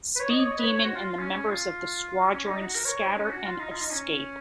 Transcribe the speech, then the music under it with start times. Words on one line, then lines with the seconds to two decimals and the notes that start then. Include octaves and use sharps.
Speed Demon and the members of the Squadron scatter and escape.
0.16 B4
0.20 C#5
0.30 D#5
0.41 C#5
0.52 D#5
0.58 B4
0.63 C#5
0.73 C#5
0.83 F#4
0.95 F4
1.05 F4
1.19 C#4
1.33 C#4
1.48 F4
2.32 C#4
2.47 D#4
2.61 F#4
2.75 A#4
2.85 C#5
2.96 C#5
3.07 D#4
3.17 C#4
3.31 F#4
3.46 F4
3.60 D#4
3.71 F4
3.81 D#4
3.92 C#4